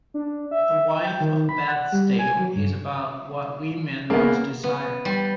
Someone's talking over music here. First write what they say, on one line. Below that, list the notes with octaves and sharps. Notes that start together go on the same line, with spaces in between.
"The Wife of Bath's Tale" is about 'What women most desire'.
D4
E5
G5
D#3
B5
F#5
G3
G#5
F#3
G2
C#3 A#3 B3
B3
G3